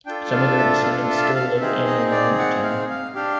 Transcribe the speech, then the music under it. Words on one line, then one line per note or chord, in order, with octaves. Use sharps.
Some of their descendants still live in or around the town.
D4 F4 A4 G5
F5
E5
F5
E5
F5
E5
F5
C4 D#4 G#4 E5
D#5
D5
F#5
F5
F5
D4 G4 F5